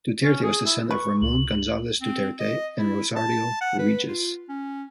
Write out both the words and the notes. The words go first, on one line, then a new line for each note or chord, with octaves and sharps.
Duterte was the son of Ramon Gonzales Duterte and Rosario Regis.
C#4
G#4
E4
B4 C#6
C#2 F#7
C4
D#5
E4
A5
F#5
B4
F4
C#4